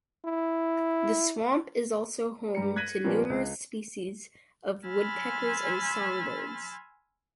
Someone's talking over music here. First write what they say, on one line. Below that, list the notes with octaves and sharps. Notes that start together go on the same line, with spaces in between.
The swamp is also home to numerous species of woodpeckers and songbirds.
E4
G2 G3 A#5 C#7
F#6 G#6 A#6 B6 D#7 F#7
A#2 F3 G3 A#3 B3 C#4
C#2
G#5 B5 C6 E6 F6 A6